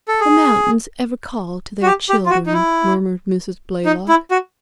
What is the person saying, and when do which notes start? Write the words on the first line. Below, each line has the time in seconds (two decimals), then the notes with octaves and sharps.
"The mountains ever call to their children," murmured Mrs. Blaylock.
0.08 A4
0.21 G#4
1.82 F#4
1.86 G4
2.09 G4
2.26 F4
2.30 F#4
2.46 D#4
2.53 E4
3.85 D#4
4.08 E4
4.31 F#4